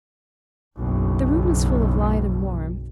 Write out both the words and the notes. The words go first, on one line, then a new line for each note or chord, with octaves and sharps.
The room was full of light and warmth.
F#1 B1